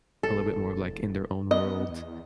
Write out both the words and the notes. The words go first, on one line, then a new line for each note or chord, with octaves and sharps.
a little bit more of, like, in their own world,
E1 A4
B3 D#5
E2